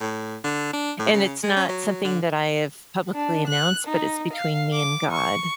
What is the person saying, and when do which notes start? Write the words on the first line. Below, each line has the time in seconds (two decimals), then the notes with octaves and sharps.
and it's not something that I have publicly announced, but it's between me and God.
0.01 A2
0.44 D3
0.73 D4
0.99 A2
1.13 C#3
1.43 G#3
1.57 C#4
1.69 F#3
2.04 D3
3.14 D4
3.47 F#6
3.87 D#4
4.33 F5
4.73 D6
5.11 C#6